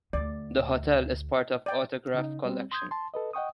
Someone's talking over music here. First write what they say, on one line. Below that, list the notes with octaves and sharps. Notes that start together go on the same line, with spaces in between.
The hotel is part of Autograph Collection.
D2 D5
D5 G5
C#3 D#4
G3 C4
C6 D#6 G6 G#6
A5 C6
A4 B4 D#5
D#5 F#5 G5 C#6 D#6